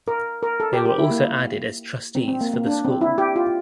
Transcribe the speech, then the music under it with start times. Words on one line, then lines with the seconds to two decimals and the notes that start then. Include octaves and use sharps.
They were also added as trustees for the school.
0.08 A#4
0.43 A#4
0.60 A4
0.73 G4
0.86 G4
0.98 E4
1.11 A#3
2.15 C4
2.28 C4
2.41 A#3
2.54 A#3
2.67 D4
2.85 C4
3.01 E4
3.18 G4
3.36 F4